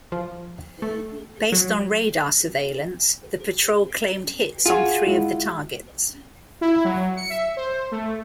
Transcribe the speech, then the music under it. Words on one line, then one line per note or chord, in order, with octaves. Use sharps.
Based on radar surveillance the patrol claimed hits on three of the targets.
F3
A3
F#3
F4 F#4 G#4
G#3 E4
E4
F#3
C#7
E5
C5
A3